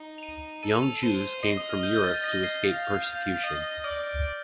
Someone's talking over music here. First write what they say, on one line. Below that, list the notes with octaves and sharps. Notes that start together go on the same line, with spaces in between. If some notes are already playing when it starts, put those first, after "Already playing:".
Young Jews came from Europe to escape persecution.
Already playing: D#4
F7
D#7
A4 D#7
F7
C5 D#7
D#5 C7
D#6
F6
G6
A6
D#5 A#6
C7
F5 A6
F5 G6
D#5
D5 F6